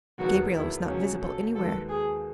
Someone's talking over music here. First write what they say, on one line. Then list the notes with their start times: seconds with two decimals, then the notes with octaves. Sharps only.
Gabriel was not visible anywhere.
0.18 E1 D#2 D#3 F#3 B3 F#4
0.53 E4
0.86 C#2 B2 F#3 C#4
1.21 A4
1.55 D#2 D#3 G#3 B3 F#4 A4
1.89 G#4